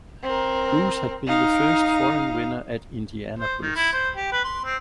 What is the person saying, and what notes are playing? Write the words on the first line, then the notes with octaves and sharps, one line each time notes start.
Gouz had been the first foreign winner at Indianapolis.
C4 A#4
D#4 F5
C5
D#3
E4
C5
G4
B4
C6
C4